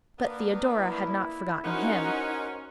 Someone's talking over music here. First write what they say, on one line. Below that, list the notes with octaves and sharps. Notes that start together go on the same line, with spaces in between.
But Theodora had not forgotten him.
A#3 B3 D4
E4
C#4 D#4 F#4 A#4 C5 F#5